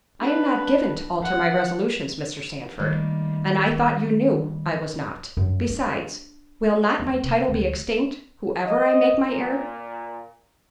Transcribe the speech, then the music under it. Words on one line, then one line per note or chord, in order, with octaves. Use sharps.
I am not given to alter my resolutions, Mr. Sandford; and I thought you knew I was not; besides, will not my title be extinct, whoever I make my heir?
D4 B4
F#5
D#3 G3 A3 A#3
F#2
D4
E2
C3
D2
D#5
A#2